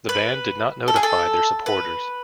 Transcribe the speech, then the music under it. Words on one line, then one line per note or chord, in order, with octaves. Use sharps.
The band did not notify their supporters.
B4
A4
G#4
A4
B4